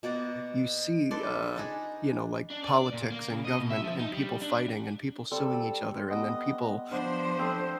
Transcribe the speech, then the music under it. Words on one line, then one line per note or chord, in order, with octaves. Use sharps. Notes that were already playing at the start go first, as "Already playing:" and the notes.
you see, uh, you know, like, politics and government and people fighting and people suing each other and then people,
B2 A#3 D5 F#5
A4 B4 D5 C6
D4 D#4 G#4
D4
D5
A#2
A#3
C#3
D#5
B2
E5
F3
D#4
G3
D4
G3 C4 A4 D5
B3 D#5
F3 B3 D4 C5
A3 C4 D#6